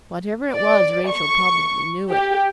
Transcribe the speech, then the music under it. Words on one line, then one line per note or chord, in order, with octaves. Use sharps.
Whatever it was Rachel probably knew it.
D5
C#6
G4